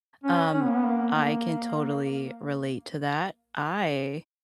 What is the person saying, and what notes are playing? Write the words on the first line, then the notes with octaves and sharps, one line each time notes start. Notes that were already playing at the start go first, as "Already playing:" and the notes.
Um, I can totally relate to that, I
C#4
C#4
B3
A#3
B3
A#3